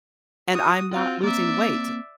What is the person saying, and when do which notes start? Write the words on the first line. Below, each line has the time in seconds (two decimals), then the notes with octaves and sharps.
and I'm not losing weight."
0.53 F#4 D#6
0.91 C4 F4 F#4 F5
1.23 A#3 C4 D5 E5